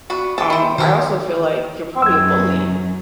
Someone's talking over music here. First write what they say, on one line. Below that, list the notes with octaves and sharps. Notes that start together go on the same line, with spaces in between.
Um, I also feel like you're probably a bully.
B3 D4 F#4
G#4 G5 A5
E4 C5
D#3 G4 A#4 C5
F#2 E6 G#6